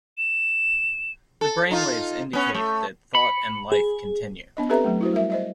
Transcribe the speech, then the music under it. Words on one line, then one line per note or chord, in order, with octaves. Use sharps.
The brainwaves indicate that thought-and life-continue.
E7
A4
D#4 F4
B3 C#4
A3
B5 C#7
G#4
B3 D4 D#5
C4 G4 A4 B4 E5 A#5
F#3 A3
E4 F#4 C5
G3 A#4 E5
C5 D#5 E5